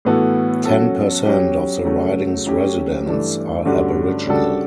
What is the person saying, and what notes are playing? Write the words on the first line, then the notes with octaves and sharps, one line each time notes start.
Ten per cent of the riding's residents are aboriginal.
A2 E3 B3 F#4 A4
F#3 C#4 F#4 A4
F#3 C#4 G4
C#3 F#3 A3
F#3 A3 C#4 G4
G2 E3 A3 D4
G2 D3 A3 C#4 F#4
C#3 G3 D4 F#4 A4